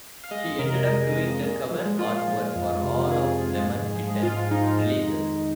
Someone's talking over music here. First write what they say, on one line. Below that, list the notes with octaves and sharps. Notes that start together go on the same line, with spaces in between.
She ended up doing the cover artwork for all of Lemon Kittens releases.
F5
G#3 D#5
F2
C3 A#4
F3
G#3 G#4
F2
C3
F3
A#2
A#2
F3
G#3
A#2 F4
A#2
F3
G#3
F2
F2
C3
F3
F2 G#4
F2
C3
F3
G#2
G#2
F3
G#3
G#2 F4
G#2
F3 D#4
G#3
F2 D#4
F2
D#3
G#3